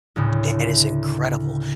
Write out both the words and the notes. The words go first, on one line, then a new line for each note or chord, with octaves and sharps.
That is incredible.
D2 A2 C#3